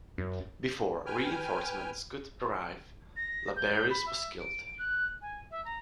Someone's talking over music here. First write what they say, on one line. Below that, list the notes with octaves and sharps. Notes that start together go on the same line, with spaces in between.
Before re-inforcements could arrive, Laberius was killed.
F#2
B4 G5 G#5 F6
A#6
G6
B5
E5
D7
D7
F#6
G#5
E5
A#5